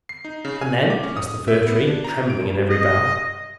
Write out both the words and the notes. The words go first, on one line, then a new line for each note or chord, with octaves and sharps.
"And then?" asked the Fir Tree, trembling in every bough.
C7
D#4
C#3
G#5
D6
C#4
D#6
E5
B3
D4
A#5
D7
D#5